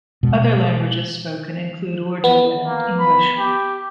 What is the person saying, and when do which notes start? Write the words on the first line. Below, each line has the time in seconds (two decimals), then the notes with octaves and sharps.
Other languages spoken include Urdu and English.
0.23 B2 G#3
2.24 B3
2.67 A#3
2.99 B5
3.38 G4